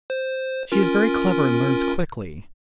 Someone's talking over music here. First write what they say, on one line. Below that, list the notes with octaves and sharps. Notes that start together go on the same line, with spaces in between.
She is very clever and learns quickly.
C5
C#4 F4 A#4